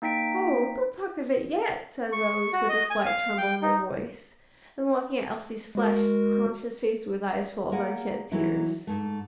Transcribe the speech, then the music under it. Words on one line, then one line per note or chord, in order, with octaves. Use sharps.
"Oh, don't talk of it yet," said Rose, with a slight tremble in her voice, and looking at Elsie's flushed, conscious face with eyes full of unshed tears.
A#3 D#4 G5 B6 D7
C#6
F#4
D#5
G#5
F5
G5
D#4
G#3 F#4 A#4
A#3 G#4 F#5
E3 F#3 D#4 E4
G#2 A3